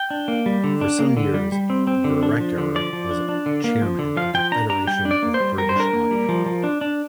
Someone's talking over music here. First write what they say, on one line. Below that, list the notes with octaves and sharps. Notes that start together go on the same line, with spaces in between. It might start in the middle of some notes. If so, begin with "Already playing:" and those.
For some years Vereker was chairman of the Federation of British Audio.
Already playing: G5
D4
A#3
G3
D3
D4
A#3
D3
G3
G3
C4
C4
D3
D4
F3
D3
F3 D5
F3
D4
D4
D3
A#3
F3
D3
F3 F5
F3 G5
D4 A#5
D4 A#5
G3 G5
D4
D5
A#3
C5
G3
G3 A#4
C5
D4 A#4
A#3
G3
F3
F3
D4
D4